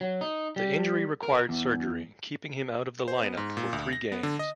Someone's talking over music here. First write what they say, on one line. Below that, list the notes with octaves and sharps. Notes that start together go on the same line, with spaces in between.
The injury required surgery, keeping him out of the lineup for three games.
F#3
D#4
G3
A#4
E2
C5
B3
G#2
A#2
D2
A#6
B3
D3
D#5